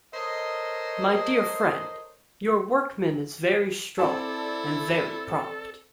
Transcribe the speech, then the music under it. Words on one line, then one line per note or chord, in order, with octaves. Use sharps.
My dear friend, your workman is very strong — and very prompt.
A4 A#4 C5 C#5 D#5
C4 E4 A4 D5 A5